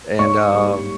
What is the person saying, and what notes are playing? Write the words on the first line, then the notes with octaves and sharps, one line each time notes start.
And, um
G#2 C#5 C#6
G3 A#3